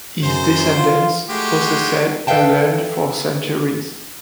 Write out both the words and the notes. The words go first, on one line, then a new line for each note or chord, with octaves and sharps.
His descendants possessed the land for centuries.
F#2 C5
F4
G#3 A3 F#4 G4
A4 B4 E5 F5 G5 A5